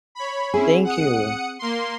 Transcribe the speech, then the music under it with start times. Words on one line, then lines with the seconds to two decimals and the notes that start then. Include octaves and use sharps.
Thank you.
0.15 C#5 B5
0.54 C4 C#4 E4 G#4
0.84 F#5 D#6 C#7
1.59 A#3 C6